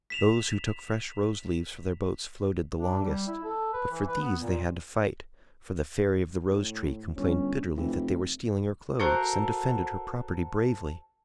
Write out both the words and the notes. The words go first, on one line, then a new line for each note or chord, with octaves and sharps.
Those who took fresh rose-leaves for their boats floated the longest; but for these they had to fight; for the fairy of the rose-tree complained bitterly that they were stealing her clothes, and defended her property bravely.
B6 E7 F7
D4
G3
E4
A4
B4
E3
B4
B3
A#2
A2
G1 C#4
F1 E3
F#4 A4 A#4 C5